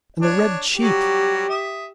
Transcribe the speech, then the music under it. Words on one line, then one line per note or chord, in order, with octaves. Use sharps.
And the red cheeks!
D4 C#5
F#3 G3 G4
E5 D#6